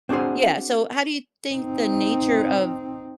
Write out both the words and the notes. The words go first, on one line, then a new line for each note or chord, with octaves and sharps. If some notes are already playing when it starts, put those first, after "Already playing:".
Yeah, so how do you think the nature of
C4 D4 F#4 G#4 C5
C4 D#4